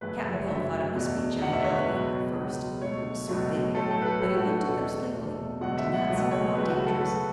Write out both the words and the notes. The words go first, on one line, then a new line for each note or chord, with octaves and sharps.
Cap'n Bill thought it must be a giant alligator, at first, it was so big; but he looked at them sleepily and did not seem at all dangerous.
F#2 C#3 F#3 A3 B4
E5
C#5
F#2 C#3 F#3 A3 E5
E2 B2 A3
E2 B2 A3 F#5
E5
C#5
B4
C#2 B2 F#3
C#2 B2 F#3
C#2 B2 F#3 A3 C#5
C#2 B2 F#3 A3
A2 F#3 A3 A4
A4
B4
A4
A2 F#3 A3 A4
F#4
F#4
E2 B2 A3 A4
E2 B2 A3
C#2 B2 F#3 A3 F#5
E5
F#5
C#2 B2 F#3 A3
C#5
C#2 C#3 F#3 A3 B4
F#4
A4
C#2 C#3 F#3 A3 B4